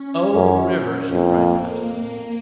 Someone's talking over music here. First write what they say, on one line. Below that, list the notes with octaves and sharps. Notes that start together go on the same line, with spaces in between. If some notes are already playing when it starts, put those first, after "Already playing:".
'Oh, the river!' she cried passionately.
Already playing: C#4
F#2
F2 A#3